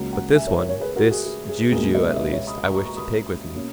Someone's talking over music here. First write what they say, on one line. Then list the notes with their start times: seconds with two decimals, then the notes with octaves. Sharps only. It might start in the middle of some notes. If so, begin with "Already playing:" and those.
But this one, this Jijiu at least, I wish to take with me.
Already playing: C#2 C#3 F#3 A#3 F#5 A#5
0.12 F#5 A#5
0.35 E5 G#5
0.47 A#4 C#5
0.58 A#4 C#5
0.69 A#4 C#5
0.80 G#4 B4
0.96 F#4 A#4
1.11 G#4
1.26 G#4
1.49 G#4
1.72 C#2 B2 A#3 G#4
1.95 B4 D#5
2.10 E5
2.16 B4 D#5
2.32 C#5 E5
2.47 B5 D#6
2.63 A#5 C#6
2.74 A#5 C#6
2.85 A#5 C#6
2.97 B5 D#6
3.55 B2 A#3 C#4